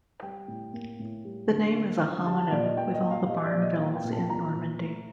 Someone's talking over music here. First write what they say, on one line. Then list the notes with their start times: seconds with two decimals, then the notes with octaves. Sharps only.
The name is a homonym with all the Barnevilles in Normandy.
0.22 G3 G5
0.48 A2
0.73 A#3
0.99 A2
1.24 G3
1.50 D3
1.75 A#3
2.01 D3
2.26 G3 A5
2.39 A5
2.51 A#2 D5
2.64 D#5
2.77 A#3 G5
2.94 D#5
3.03 A#2
3.11 F5
3.28 G3 D#5
3.45 D5
3.54 A#2
3.62 D#5
3.78 A#3 F5
3.95 G5
4.04 A#2
4.12 A5
4.30 F3 A#5
4.55 A#2
4.81 A3